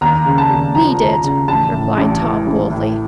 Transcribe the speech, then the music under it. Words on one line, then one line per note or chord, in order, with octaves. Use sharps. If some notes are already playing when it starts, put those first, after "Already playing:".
"We did," replied Tom boldly.
D#2 A#5
C#3
A5
D#2
F3 A#5
D#2
A#5
C#3
A1 A5
A2
A1
E3
A1
A2